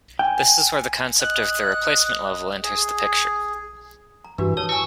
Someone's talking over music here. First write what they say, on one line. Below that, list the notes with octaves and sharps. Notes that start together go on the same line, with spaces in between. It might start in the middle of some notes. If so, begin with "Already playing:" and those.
This is where the concept of the replacement level enters the picture.
G5 G#5
D#5 F#6
G#4
A#5
G2 E3 F#4 G4 B4
B4 C#5 A5 D#6
E4 G#5 C#6 E6